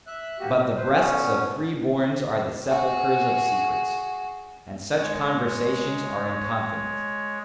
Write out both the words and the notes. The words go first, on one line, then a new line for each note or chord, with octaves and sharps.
But the breasts of free-borns are the sepulchres of secrets' and such conversations are in confidence.
E5 F#6
G#2 A#3 F#4 G4
G3
B4 C5
F2 B2 D3 B3 C#4
F#4 G#4
G#3 C#5